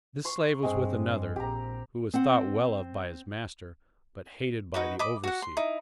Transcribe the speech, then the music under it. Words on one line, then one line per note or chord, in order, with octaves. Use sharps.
This slave was with another, who was thought well of by his master, but hated by the overseer.
C6 C#6
G2 G#3 C4
A#1 G4 A#5
C4 F#5
D#4 F#4 B4
D#5 B5 D6
F#4 F#5
C6
D#4 E4